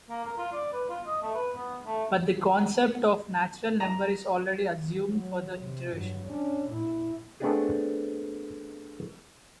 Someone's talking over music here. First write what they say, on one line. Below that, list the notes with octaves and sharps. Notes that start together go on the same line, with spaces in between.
But the concept of natural number is already assumed for the iteration.
A#3
A#4
F4
D5
B4
F4
D#5
A3
B4
B3
A3
A#5
F#3
C3
G2 F#3
C#4 D4
A#2 E4
A3 B3 C4 D4 G4 G#4